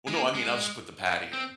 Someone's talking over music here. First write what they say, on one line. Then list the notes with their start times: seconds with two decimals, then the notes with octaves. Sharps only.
Well, no, I mean, I'll just put the patty in
0.08 G#3
0.14 A#3
0.34 G#3
1.33 C4